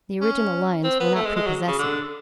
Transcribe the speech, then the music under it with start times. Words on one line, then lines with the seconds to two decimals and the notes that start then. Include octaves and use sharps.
The original lines were not prepossessing.
0.21 C#4
0.84 C4
1.00 B3
1.15 A3
1.26 G#3
1.36 G#3
1.46 F#3
1.68 C#3
1.78 D3